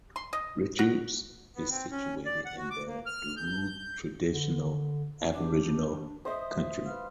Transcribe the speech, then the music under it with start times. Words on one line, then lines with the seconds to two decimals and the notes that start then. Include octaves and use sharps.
Richards is situated in the Darug traditional Aboriginal country.
0.16 C6
0.33 D#5
0.79 F#4
1.55 B3
1.70 C4
1.91 C#4
2.26 D5
2.45 F#5
2.57 F#4
2.70 D6
2.87 A#3
3.06 F6
3.37 G6
4.32 D3
5.33 D4 G4 D6
6.25 C5 D#5 E5 D#6
6.84 B4 F5 F6